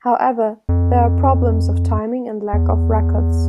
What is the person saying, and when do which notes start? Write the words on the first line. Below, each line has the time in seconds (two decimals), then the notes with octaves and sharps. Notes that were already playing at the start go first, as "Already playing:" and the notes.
However, there are problems of timing and lack of records.
0.69 F2
2.53 E2